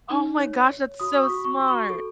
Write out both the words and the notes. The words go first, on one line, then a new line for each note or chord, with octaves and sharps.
Oh my gosh. That's so smart.
D#4
C#5
C#5
F#4 D#6
D#6
C#6
F#4
C#6
F#4
C#6
A4